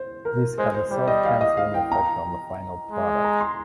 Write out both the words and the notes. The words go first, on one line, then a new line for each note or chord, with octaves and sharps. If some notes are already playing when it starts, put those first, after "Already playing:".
This had a self-canceling effect on the final product.
Already playing: C5
A#4
G#3 C5
C5
G3 C5
D#5
F5
D#5
F5
G5
A#5
G#3
A#5
C6